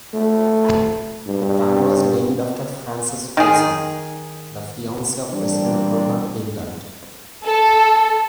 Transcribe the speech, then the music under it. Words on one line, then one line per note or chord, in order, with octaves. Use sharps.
The town was named after Frances Folsom, the fiancee of President Grover Cleveland.
A3
G2
D#3 G#4
E3 G3 A#3 C4 D4
A4